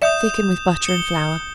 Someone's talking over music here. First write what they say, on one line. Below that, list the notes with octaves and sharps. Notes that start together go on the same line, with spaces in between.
Thicken with butter and flour.
D5 E5 D#6 G6 E7
C#7 G7